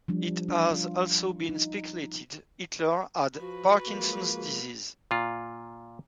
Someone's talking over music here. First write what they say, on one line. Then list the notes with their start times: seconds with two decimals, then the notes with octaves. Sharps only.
It has also been speculated Hitler had Parkinson's disease.
0.08 F3 G3 D4
0.48 D4
0.71 F4
1.49 D#4
3.39 F3 F#4 B4
3.87 F3 G#3 A#3
5.11 A#2 F4